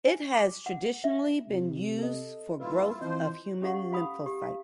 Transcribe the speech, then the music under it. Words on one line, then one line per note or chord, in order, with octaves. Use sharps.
It has traditionally been used for growth of human lymphocytes.
G#5
D6
F#5
E5
C3
A4 D#5
D#1 E4 F4 B4
E3 F3 C4 C5 D#5
C#4 G4 A4 F5 F#5 C#6
F5 B5 D#6
G4
F5